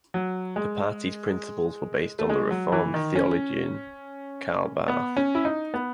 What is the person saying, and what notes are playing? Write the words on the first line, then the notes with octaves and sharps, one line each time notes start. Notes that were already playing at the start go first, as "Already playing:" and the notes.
The parties principals were based on the reformed theologian Karl Barth.
F#3
G#3
A3
G#3
F#3
E3
D#3
C#4
B3
C#4
E4
D#4
B3